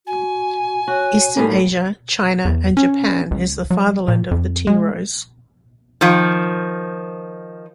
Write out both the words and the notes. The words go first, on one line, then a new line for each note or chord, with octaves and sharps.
Eastern Asia, China and Japan, is the fatherland of the tea rose.
F#4 G#5
F#4 C#5
A2 G3 A#3 D#4
E2
C#4
C#2
F#3
A#2
F2
G#3
D#3 F3